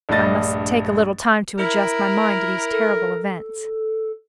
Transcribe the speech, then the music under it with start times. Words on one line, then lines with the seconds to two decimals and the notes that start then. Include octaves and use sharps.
I must take a little time to adjust my mind to these terrible events.
0.09 A#1 G2 A3 D#5 A6
1.59 E4 A#4
2.72 A4